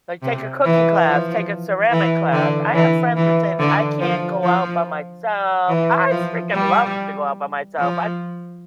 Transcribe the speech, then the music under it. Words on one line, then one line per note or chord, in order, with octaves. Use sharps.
Like, take a cooking class, take a ceramic class. I have friends that say th "I can't go out by myself." I freaking love to go out by myself. I'd
C3
E3
F3
E3
D3
E3
E3
D3
F3
F3
E3
F3
G3
F3